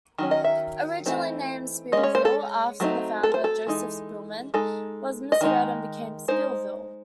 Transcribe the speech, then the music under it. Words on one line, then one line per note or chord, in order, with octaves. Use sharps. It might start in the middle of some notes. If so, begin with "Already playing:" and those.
Originally named Spielville after the founder, Joseph Spielman, it was misread and became Spillville.
D#3 F#3 C#4
D#5
E5
E3 A3 C4 D#4
G#3 C#4 D#5
C#5
C5
A4
F#3 A3 C4 D#4
A4
C5
A4
E3 G#3 D#4
G#3 D#4 A4
D#5
D#3 G#3 D#4
G#3 D#4 C5